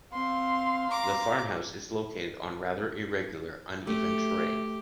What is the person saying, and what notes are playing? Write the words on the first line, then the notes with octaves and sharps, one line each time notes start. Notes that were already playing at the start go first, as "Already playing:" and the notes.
The farmhouse is located on rather irregular, uneven terrain.
C4 F5 C6
A#5 D6
A3 G4